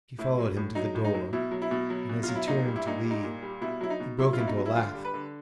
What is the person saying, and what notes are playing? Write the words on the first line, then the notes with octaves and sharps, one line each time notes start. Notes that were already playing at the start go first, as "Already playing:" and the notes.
She followed him to the door, and as he turned to leave he broke into a laugh.
A2 E4
F#3
A2
F#3 D#4
A2
D#4
F#3
B2 E4
F#3
E4
B2
F#3
B2
F4
F#3
E4
A#2 D#4
G3
E4
A#2 D#4
G3
D#4
A#2
G3
B2 E4
F#3 E4
D#4
B2
F#3 E4
F4
B2 E4
D#4
F#3
E4
D3 F4
G3
B4
D3